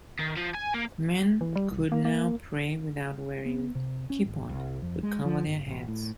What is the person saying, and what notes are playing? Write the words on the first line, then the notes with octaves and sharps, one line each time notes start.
Men could now pray without wearing kippot to cover their heads.
D#3
F3
G#5
A#3
E3
G3
C2
A#3
A#3
B3
C3
C#4
G#1
C2
F2
G#3
F3
G1
A1
A2